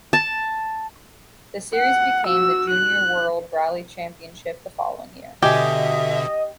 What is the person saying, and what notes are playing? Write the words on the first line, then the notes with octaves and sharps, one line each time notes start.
The series became the Junior World Rally Championship the following year.
A5
F#5
F#4 E6
F#6
B2 D3 G4 D#5 E5 G#5